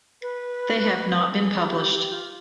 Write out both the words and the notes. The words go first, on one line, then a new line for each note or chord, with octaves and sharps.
They have not been published.
B4
G#4
G4
G4
F4